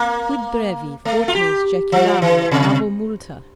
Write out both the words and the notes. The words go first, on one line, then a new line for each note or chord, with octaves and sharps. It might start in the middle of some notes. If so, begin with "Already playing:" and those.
"Quid brevi fortes jaculamur avo Multa?"
Already playing: A#3
A3
F4
G4
F3
E3
C3